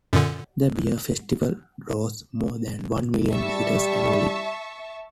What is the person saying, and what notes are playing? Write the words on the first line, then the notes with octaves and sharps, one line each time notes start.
The beer festival draws more than one million visitors annually.
F#2 A#2 D3
G3 E5 A5 C#6